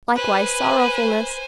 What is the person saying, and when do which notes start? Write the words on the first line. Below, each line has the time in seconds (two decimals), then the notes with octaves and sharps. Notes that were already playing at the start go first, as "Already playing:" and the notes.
Likewise sorrowfulness!
0.16 B4 C5 G#5